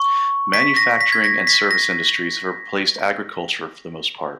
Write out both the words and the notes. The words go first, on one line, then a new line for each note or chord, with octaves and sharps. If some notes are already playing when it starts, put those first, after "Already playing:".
Manufacturing and service industries have replaced agriculture for the most part.
Already playing: C#6
B6
A#6
B6
G#6
A#6
B6
A#6